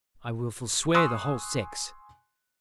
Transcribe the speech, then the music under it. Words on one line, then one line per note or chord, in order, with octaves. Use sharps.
I will forswear the whole sex.
G#5 C6 C#6 D#6 E6 F#6